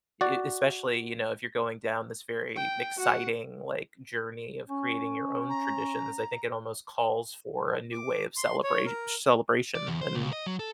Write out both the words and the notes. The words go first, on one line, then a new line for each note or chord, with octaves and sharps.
e especially, you know, if you're going down this very exciting, like, journey of creating your own traditions, I think it almost calls for a new way of celebrat celebration and
F#4 D5
G5
F#4 F#5
C#4
A#5
D6
C6
C#5
A#4
D5
E2
C5
C#2
D#5
F#3
A4